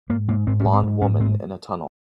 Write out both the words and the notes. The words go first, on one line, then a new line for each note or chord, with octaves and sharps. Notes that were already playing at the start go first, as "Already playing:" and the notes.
Blond woman in a tunnel.
G#2 A#3
G#2 A#3
G#2 C4
C#4
G#2
C4
G#2
G#2 C#4
G#2 C4